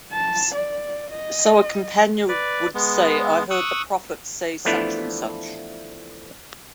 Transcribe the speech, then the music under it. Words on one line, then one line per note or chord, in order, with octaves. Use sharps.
So a companion would say, I heard the Prophet say such and such.
A5
D5
D#5
B4 D5
G#3 B3
C#6 D#6 E6 F#6
E3 F3 A3 B3 D4 E4